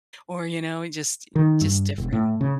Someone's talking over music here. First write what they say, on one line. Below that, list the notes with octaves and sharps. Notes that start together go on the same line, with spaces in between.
or, you know, just i just different
D#3
G2
E1
A2
C#3